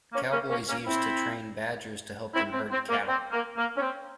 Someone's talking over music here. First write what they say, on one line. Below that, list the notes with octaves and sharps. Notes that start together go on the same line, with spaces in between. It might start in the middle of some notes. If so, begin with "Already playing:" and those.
Cowboys used to train badgers to help them herd cattle.
A#3 C#4
A#3 C#4
A#3 C#4
A#3 C#4
C4 E4
C4 E4
C4
C4
A#3
C4
A#3
A#3
C#4
C4